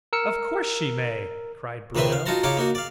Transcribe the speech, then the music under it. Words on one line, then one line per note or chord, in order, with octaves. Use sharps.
"Of course she may!" cried Bruno.
A#4 E6 C#7
C#2 D#3 C4 B4 E5 C6
F5
D#4 F4 F#4 A5 A#5 C6
C#3 D#4 F4 C#5 F5 D6
A#3 D#4 F#4
D5 F5